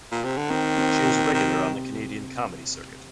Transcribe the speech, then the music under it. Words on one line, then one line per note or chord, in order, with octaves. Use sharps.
She is a regular on the Canadian comedy circuit.
A#2
C3
D3
D#3 C4
C4
C4
C3 D#3